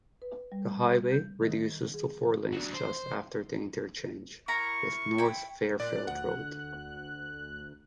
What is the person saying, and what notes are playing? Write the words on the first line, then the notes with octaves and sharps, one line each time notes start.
The highway reduces to four lanes just after the interchange with North Fairfield Road.
B4
G3
G6
D#3
G#4
F#3 D4
C5
E4 A#4 A#5 C#6
E4 G5
A#2 D5 F#6
D2 F#5